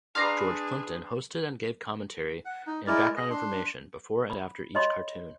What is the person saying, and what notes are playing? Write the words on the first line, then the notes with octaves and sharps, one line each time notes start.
George Plimpton hosted and gave commentary and background information before and after each cartoon.
D4 G#4 B4 D5 F5 A#5 C6
F#5
D#4
G#3 E4 A#4 D5
G#4 D#5
D4 C6
B5
C#5 D#5 B5 C6